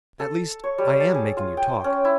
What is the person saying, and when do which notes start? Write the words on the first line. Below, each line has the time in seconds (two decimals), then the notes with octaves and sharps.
At least, I am making you talk!
0.20 A4
0.64 C#5
0.78 G3
1.00 A5
1.14 G#4
1.37 F4
1.57 G5
1.84 C#4
2.05 E4